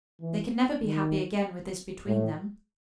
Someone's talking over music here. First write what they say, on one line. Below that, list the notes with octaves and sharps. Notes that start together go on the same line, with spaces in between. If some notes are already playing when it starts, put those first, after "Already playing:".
They could never be happy again with this between them.
E3
D#3
A2